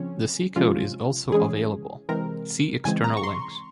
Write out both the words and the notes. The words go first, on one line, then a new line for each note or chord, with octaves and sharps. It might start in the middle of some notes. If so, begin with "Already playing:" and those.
The C code is also available, see External links.
Already playing: C#3 F3 C4 C#4
C3 F3 G#3 C#4 F4
E3 G#3 C#4 G#4
C3 E3 G#3 C4 A#4
C#3 E3 G#3 C4 G#5
A#5
C#6
C6